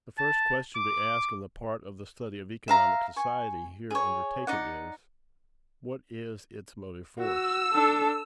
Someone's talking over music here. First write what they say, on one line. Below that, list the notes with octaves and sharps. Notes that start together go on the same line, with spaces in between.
The first question to ask in the part of the study of economic society here undertaken is: What is its motive force?
A5
D6
E5 F5 A#5
G#5 C#6
G#4 C#5
D#4 D5 F#5
F#4 E6
D4 A4